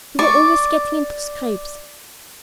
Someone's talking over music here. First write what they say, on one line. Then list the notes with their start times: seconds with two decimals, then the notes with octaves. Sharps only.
You were always getting into scrapes.
0.19 D5 C#6